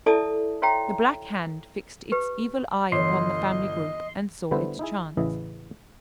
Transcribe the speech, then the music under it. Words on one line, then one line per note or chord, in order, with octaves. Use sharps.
The Black Hand fixed its evil eye upon the family group and saw its chance.
E4 A4 D5 E5 A5 D#6
F#4 C#5 E5 G5 A#5
G4 B4
G1 E3 C#5 D#5 C6
D3 G3 B3 E4 B4 C5
D#4 E4 G#4
A1 C#3 E3 E4 D#5